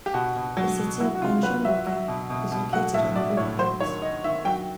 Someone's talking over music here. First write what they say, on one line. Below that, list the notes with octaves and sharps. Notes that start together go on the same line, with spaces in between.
The city of Banja Luka is located on the river banks.
G4
B2 F#4
B2
F#3
B2
F#3 E4
F#4
C3 F4
F#3 B4
F#3 E5
F#3
B2
B2
B2
F#3 F#5
A2 E5
F#3 D5
A2 C#5
F#3 C5
D#3 C#5
D#3 D#5
D#3 E5
F#3 G5